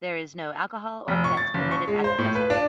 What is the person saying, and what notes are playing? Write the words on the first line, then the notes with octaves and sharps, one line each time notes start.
There is no alcohol or pets permitted at the festival.
F1
C#6
A6
F#1
C#6
G#3
C5
A2
B4
D4